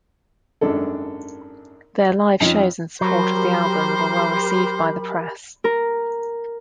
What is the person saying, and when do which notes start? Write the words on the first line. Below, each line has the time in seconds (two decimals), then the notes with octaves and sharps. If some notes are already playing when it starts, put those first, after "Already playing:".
Their live shows in support of the album were well received by the press.
0.61 G#1 F#2 D4 A4
2.40 F2 C#4 D#4 F4
3.01 F#3 G4 A#4 C5 B5
5.64 A#4